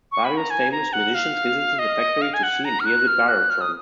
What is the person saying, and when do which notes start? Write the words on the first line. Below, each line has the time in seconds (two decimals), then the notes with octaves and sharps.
Various famous musicians visited the factory to see and hear the Birotron.
0.12 C#6
0.24 B5
0.37 A#5
0.50 G#5
0.72 A#5
0.93 F#5
1.14 F5
1.79 D#5
2.21 F5
2.34 G#5
2.43 F#5
2.65 A#5
2.80 F6
2.85 F#6
3.07 F6
3.28 F#6
3.50 F6
3.61 D#6